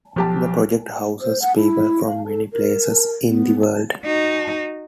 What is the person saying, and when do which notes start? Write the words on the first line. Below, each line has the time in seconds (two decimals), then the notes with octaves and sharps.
The project houses people from many places in the world.
0.16 B1 F3 G4 A5
1.21 C5
1.42 F#5
1.57 E4
2.06 F5
2.27 A4
2.53 A#4
3.26 B3
4.03 D#4 F#4